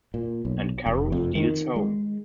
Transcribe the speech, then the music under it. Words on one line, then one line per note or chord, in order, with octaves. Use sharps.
"And Carew steals home".
A#2
B1
F1
F2
D#3
G#3